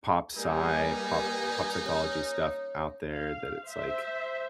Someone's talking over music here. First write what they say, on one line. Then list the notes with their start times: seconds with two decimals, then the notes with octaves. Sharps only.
pop psy pop pop psychology stuff out there that it's like
0.37 G3 A#3 D#4 B4 G#5
1.86 C#4
3.10 F5
3.65 C5 E5